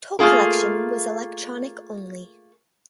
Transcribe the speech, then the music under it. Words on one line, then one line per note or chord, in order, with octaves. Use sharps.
Toll collection was electronic only.
A3 A#3 F4 G#4 A#4